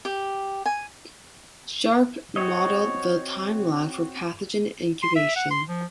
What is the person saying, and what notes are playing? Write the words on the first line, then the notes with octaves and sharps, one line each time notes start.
Sharpe, modeled the time lag for pathogen incubation.
G4
G#5
C4 F#4 C#5 D#5
C6
E5
F#5
C6
F3